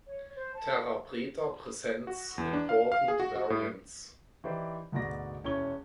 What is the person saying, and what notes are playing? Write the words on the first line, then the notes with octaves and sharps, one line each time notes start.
Terra preta presents important variants.
C#5
C5
A5
F#4
E2
D4
F5
F5
G#4
F#4
F#4
A2
E3 D#4 E4 G4 C5 D5
D2 G#2 B2 F#4 D5 A#6
E1 C#4 E4 C#6 G#6 G7